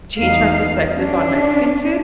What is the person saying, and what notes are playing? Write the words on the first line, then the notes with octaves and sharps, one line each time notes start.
changed my perspective on Mexican food,
E2 D#4 F5
C#4 D4